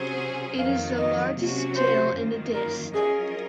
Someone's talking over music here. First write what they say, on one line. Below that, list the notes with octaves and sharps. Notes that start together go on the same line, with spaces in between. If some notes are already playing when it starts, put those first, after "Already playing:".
It is the largest Jail in the dist.
Already playing: C3 F#3 C#4 G#4 C5
F2 D#3 F#3 F5
D#5
C3 F#3 A#3 C#4 F#4
C5
F#2 D#3 A#3 F4
A#4
F#3 C#4 F4 G#4 A#4 D#5